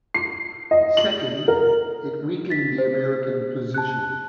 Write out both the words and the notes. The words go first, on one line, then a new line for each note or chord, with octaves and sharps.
Second, it weakened the American position.
C7
D#5
F#7
A#4
A6 B6
C5
A5 F#6